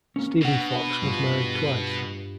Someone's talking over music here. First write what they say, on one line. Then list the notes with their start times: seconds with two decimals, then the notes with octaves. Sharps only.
Stephen Fox was married twice.
0.16 A#3 C#4
0.42 B2 D4 F#5
1.02 G2 G3 F4